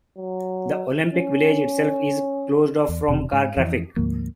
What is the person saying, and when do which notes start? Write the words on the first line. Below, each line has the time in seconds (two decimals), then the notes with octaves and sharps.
The Olympic Village itself is closed off from car traffic.
0.18 F#3
1.12 C#4
2.89 E2
3.08 E1 C3
3.32 G#2
3.57 F2 E3
3.96 D2 G#2 F3 A#3